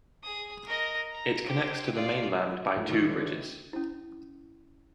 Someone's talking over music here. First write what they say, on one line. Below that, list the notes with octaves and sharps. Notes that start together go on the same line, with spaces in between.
It connects to the mainland by two bridges.
G#4 D#6
A#4 D#5
A#5
G4 C5
F4 D5
G#2 F3 A3
D#3 E3 G3
D3 C#5
C#4 E4